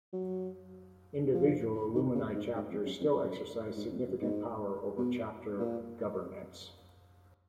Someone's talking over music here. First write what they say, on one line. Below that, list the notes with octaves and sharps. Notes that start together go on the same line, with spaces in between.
Individual alumni chapters still exercise significant power over chapter governance.
F#3
F3
D#3
C#3
G#2
G#2
F2
F#2
F2
F#2
G#2
F2
F#2
G#2
B2
A#2